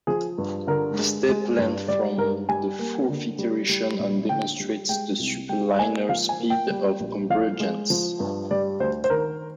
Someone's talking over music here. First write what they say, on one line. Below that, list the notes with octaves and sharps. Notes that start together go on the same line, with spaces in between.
The step length from the fourth iteration on demonstrates the superlinear speed of convergence.
F3 G#4
G2
D3 A#4
G#3
G#3
G2
G3 D5
G2 A#4
G3 G#5
A#3
D3
G3
G3
A#1
D3 G5
G3
G#3 G5
C2
G3 G5
A#3 G#5
F3 F5
G#5
A#3
G5
G3
A#1
F3 F5
G#3
F3
G2
G3 D5
D2 C5
C5
D#3 A#4